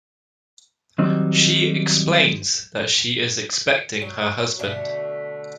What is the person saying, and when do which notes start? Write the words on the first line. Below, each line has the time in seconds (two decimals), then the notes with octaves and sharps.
She explains that she is expecting her husband.
0.98 D#3 F#3 G3 C4 D#4
4.02 F#3
4.59 B2 D3 A3